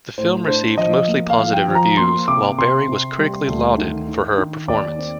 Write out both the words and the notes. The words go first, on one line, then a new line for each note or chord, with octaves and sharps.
The film received mostly positive reviews while Berry was critically lauded for her performance.
A2 C5
D4 C5
F3 D#5
A#3
F5
F3
G5
F3
A#5
A#3 C6
C3 D6
C3 C6
C3
G3
D2
D#3
D#3
D#3
D#2 D5
C4